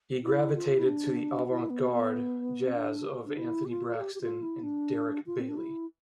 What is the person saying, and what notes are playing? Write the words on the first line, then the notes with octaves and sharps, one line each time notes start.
He gravitated to the avant-garde jazz of Anthony Braxton and Derek Bailey.
E4
F4
E4
D4
E4
B3
B3
C4
D4
D4
E4
G4
F4
A4
G4
G4
F4
E4
D4
F4
C4
D4
E4